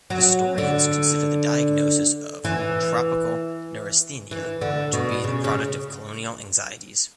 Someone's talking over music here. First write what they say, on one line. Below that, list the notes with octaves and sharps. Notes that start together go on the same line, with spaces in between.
Historians consider the diagnosis of "tropical neurasthenia" to be the product of colonial anxieties.
F#3
D3
E3
E3
D3
B2
C#3
C#3